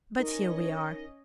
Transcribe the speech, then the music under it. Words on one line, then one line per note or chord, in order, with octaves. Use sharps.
But here we are.
C#4 D#4 A#4 D#5